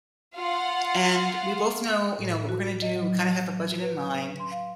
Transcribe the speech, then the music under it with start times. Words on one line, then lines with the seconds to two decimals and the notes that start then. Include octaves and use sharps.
and we both know, you know, what we're gonna do, we kinda have a budget in mind,
0.35 F4 F5 F#5
2.18 A2
2.49 F#4
2.82 D#5
2.96 F#3
3.82 B4
4.39 C6
4.51 F5